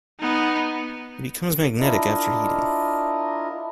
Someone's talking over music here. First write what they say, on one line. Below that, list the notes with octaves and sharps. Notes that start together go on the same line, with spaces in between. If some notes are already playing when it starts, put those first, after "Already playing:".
It becomes magnetic after heating.
B3 D#4
D4 E4 F4 A#4 D#5